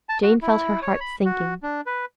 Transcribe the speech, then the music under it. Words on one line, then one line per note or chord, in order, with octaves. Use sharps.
Jane felt her heart sinking.
A5
F#4
E4
C#5
B5
F#4
D4
B4